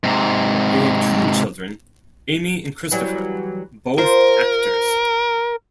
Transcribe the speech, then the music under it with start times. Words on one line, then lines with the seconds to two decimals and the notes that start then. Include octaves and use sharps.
They had two children, Amy and Christopher, both actors.
0.04 G#2 C3
2.91 E3 F#3 G3
3.98 F4 A#4 C5